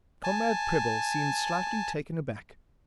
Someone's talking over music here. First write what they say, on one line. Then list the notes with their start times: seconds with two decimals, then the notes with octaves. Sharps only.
Comrade Prebble seemed slightly taken aback.
0.24 G#5 A5